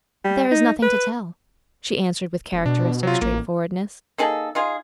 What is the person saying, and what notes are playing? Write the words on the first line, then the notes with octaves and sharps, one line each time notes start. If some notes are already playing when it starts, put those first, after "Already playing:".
"There is nothing to tell," she answered with characteristic straightforwardness.
G3
D#4
B4
E1
B2 D4
C3 F#3 F4
A1 A#3
A#3 D#4 G#4 A4
D#4 F4 G#4